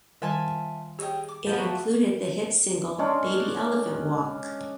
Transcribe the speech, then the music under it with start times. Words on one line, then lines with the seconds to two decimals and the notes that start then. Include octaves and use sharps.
It included the hit single "Baby Elephant Walk".
0.22 D#3 G3 F4 A#4 E5 G#5 A5
0.99 G4 G#4 C#5 D#5 G5
1.28 D6
1.47 F3 B3
1.58 A3 A#3 F#4
2.99 G#3 C#4 D4